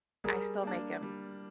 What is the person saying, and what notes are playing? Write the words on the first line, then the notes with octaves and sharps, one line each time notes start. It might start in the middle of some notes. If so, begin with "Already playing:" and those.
I still make 'em
G3 G#4 A#4
A#3 D4
G3